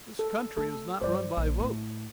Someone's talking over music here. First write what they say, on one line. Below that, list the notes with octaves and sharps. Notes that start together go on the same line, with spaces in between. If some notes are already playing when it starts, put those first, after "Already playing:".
This country is not run by votes.
A4
A3 A4
G2 F3 C5 D5
A#1
A2